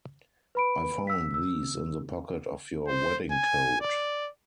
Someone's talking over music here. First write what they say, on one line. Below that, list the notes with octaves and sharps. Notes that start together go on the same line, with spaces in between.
I found these in the pocket of your wedding-coat.
B4 B5 D7
E6 B6
E6
C5
G#5
D5